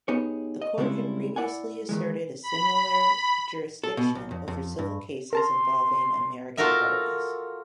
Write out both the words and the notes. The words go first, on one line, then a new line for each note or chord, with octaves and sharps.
The Court had previously asserted a similar jurisdiction over civil cases involving American parties.
B3 D#4 G4 G#4 C#5
D#5
C#3 G3 G#3 C4 E4 A4
E4 D5 F#5 G#5
D#3 E3 G#3
B5
A4
B2
B1
F2
F2
G2
A#4 A5 A#5 C6
F4 F#4 A4 A#4 E5